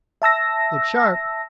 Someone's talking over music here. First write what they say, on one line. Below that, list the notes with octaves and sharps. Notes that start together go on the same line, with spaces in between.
Look sharp!
E5 A5 E6 A#6